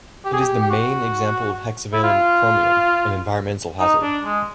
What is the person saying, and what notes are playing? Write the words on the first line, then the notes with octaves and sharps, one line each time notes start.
It is the main example of hexavalent chromium, an environmental hazard.
G4
G#4
G4
G4
F#4
E4
F4
D#4
D4
G#3